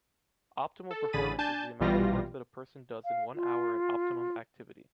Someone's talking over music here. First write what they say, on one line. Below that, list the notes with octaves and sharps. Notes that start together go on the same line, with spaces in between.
Optimal performance is the amount of work that a person does in one hour at optimum activity.
A4
A1 D3 G#4 B5 A6 D#7
D4 G#5 A5 G6
A#1 B2 E3 G3 F4 A#6
F5
F4